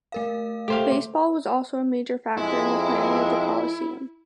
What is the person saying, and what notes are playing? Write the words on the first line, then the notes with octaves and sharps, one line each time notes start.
Baseball was also a major factor in the planning of the Coliseum.
A3 A#4 F5
A3 G4 C5 F5
F2 G#3 E4